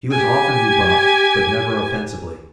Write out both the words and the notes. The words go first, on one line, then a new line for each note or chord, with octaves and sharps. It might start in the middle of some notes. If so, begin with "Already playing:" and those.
He was often rebuffed but never offensively.
G4 G#5